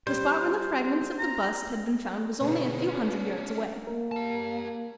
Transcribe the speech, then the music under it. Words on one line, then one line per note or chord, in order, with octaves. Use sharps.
The spot where the fragments of the bust had been found was only a few hundred yards away.
G3 C5
A#5
B2 D3 G#4 B4
C#4 D4
A#3 A#4
G4 A5